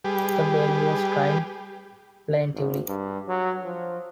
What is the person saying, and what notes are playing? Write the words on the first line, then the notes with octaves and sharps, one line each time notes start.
The baby was crying plaintively.
G3 G4 G#4 B4
G#1
G2
F#3
F3